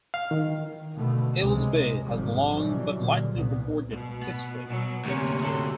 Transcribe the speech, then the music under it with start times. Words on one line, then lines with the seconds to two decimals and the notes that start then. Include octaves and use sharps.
Aylesbeare has a long, but lightly recorded, history.
0.14 F5
0.31 D#3
0.95 B2 D3 A3 B3
1.38 C#2 C3 G#3
2.06 G#1 F2 C3 G3
2.56 B2 E3 F#3 G3
2.97 A#2 D3
3.34 C2 A#2 B3
3.90 B2
4.21 B3
4.66 B2 F#3
5.05 D2 C3 A#3 C#4 G4 C#5
5.42 C4 F#4 A4